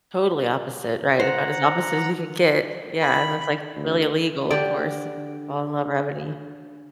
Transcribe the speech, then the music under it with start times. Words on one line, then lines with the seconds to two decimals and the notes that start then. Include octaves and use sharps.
Totally opposite, right? About as opposite as you could get. Yeah. And it's, like, really illegal, of course, and fall in love with any
1.20 C5 F#5 A#5
3.01 B5
3.76 D2
4.51 D3 G4 D5